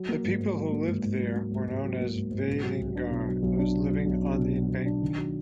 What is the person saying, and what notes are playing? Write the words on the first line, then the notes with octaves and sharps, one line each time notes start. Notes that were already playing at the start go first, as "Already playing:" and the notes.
The people who lived there were known as "vaellingar", "those living on the embankment".
Already playing: F#3
A#3
G#2
G#2
F#3
A#3
G#2
G#2
F#3
A#3
G#2
G#2
F#3
A#3
G#2
G#2
B2
F#3
B1
D4
B2
F#3
B1
D4
B2
F#3
B1
D4
B2
F#3
B1
D4
D#3
F#3